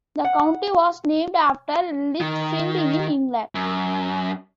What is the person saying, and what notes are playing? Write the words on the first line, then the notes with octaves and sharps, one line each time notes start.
The county was named after Lichfield, in England.
F#5
D#3
F#2